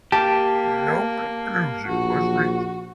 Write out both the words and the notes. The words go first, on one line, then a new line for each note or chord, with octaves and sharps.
No conclusion was reached.
A#3 G4 A5
A#1 F#4